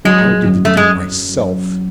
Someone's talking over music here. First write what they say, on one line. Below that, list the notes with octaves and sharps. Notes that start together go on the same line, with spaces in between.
"I'll do the deed myself."
F#3 G#3
F#3
F#2
F#2 A3
G#3